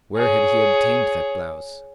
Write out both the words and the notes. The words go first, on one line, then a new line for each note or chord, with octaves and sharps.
Where had he obtained that blouse?
G#4 C#5